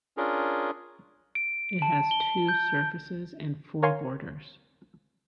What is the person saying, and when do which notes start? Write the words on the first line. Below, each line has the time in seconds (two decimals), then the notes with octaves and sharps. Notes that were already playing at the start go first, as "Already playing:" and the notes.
It has two surfaces and four borders.
0.17 C#4 D4 F4 G#4 A#4
1.35 D7
1.82 A5
2.11 G7
2.48 G6
3.82 A#4 C#5 F5 G#5 C6